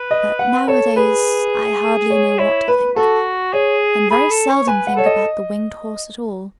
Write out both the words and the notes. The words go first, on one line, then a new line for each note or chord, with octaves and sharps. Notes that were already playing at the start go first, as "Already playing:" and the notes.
But, nowadays, I hardly know what to think, and very seldom think about the winged horse at all.
Already playing: B4
D#5
F#5
A4 C#5
G#4 B4
C#5
E4 C#5
B4
F#4 A4
G#4 C#5
G#4 B5
A4
C#5
B4 G#5
F#5
A4 C#5
D#5